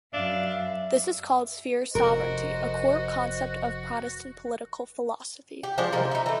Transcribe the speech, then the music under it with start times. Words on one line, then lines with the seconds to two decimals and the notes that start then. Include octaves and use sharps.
This is called sphere sovereignty, a core concept of Protestant political philosophy.
0.14 F#2 D4 E5 F5
1.95 F1 F#4 A#4 C5 D#5
5.63 G4
5.78 F3 G#3 D4 C5
5.92 C3 F3 A#3
6.11 D#4 E5
6.26 E3 A3